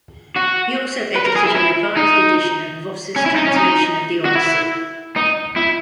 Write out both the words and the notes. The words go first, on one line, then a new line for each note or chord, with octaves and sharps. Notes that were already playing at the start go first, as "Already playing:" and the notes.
He also edited a revised edition of Voss's translation of the "Odyssey".
F#4
B4
A#4
G#4
E4
E4
D#4
C#4
E4
D#4
C#4
D#4
F#4
E4
D#4
E4